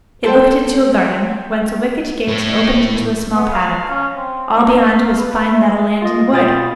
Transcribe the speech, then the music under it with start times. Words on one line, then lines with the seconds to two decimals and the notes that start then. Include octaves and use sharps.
It looked into a garden, whence a wicket-gate opened into a small paddock; all beyond, was fine meadow-land and wood.
0.24 A4 C5 G5
2.28 A2
3.34 B3
3.52 F5
3.90 C#4
4.16 C4
4.52 D#4
4.80 F5
5.19 B4
5.48 E5
6.02 F4 D#5
6.33 B2 F4 G5 B5 D#6 A6